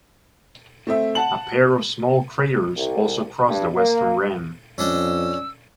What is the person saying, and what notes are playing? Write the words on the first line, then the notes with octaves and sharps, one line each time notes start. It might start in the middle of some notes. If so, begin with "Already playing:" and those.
A pair of small craters also cross the western rim.
A3 C4 E5
F#5 A5 F#7
C2
G2
A#3
F2 C#4 D4 D#5 E6